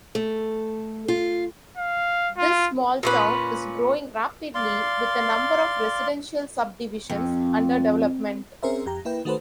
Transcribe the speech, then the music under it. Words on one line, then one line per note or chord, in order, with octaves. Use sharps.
This small town is growing rapidly with a number of residential subdivisions under development.
A3
F4
F5
F4
A#2 C#4 B4
D5 F5 C6
F2
C4 C#4 G#4 A#4 C5 E5
F2 G4 A#5
A#3 E4 B4 G5
D#3 A3 F#4 A4 B4 C5